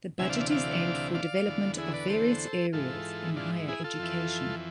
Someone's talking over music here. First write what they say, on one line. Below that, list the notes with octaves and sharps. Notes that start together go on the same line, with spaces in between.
The budget is aimed for development of various areas in higher education.
D2 C3 E3 E5 G#5
D5 F5
E5
D5 F5
D5 F5
D5 F5
E2 D3
E4 G#4
B4 D5
A4 C5
G#2 E3 F4 A4
D4 F4
E4 G#4
F4 A4
F2 E3